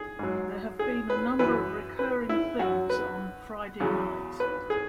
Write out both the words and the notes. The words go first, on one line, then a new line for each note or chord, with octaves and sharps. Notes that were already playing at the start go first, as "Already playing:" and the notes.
There have been a number of recurring themes on "Friday Night".
Already playing: G#4
G#2 F#3
G#4
B4
F#2 E3 B4
B4
E4
F#2 F#3 F#4
B4
E2 C#3 F#3
B4
G#4